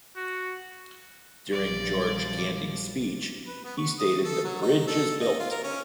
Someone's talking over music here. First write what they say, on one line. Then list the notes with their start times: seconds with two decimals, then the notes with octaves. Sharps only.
During George Gandy's speech, he stated; The bridge is built!
0.16 F#4
1.52 A#1 F3 G3 D5
3.47 B4
3.64 B3
3.77 C#6
3.99 D#6
4.24 A4
4.44 F#3
4.61 D#4
4.87 A4
5.21 D#5
5.39 F4
5.51 A#4
5.63 C#4